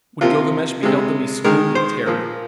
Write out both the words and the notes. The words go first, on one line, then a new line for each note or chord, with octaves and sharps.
When Gilgamesh beheld them he swooned with terror.
C3 F3 A#3 F4
C3 G#3
D#3 G#3 A#4
C5
A#2 F3 A#3